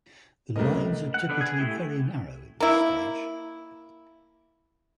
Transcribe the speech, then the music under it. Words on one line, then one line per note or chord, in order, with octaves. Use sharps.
The lines are typically very narrow at this stage.
C#2 C3 A3 A#4 D#5
F#5
D3 B3 D4 D5
G#4 G#5
A3 E4 G4
A#3 E4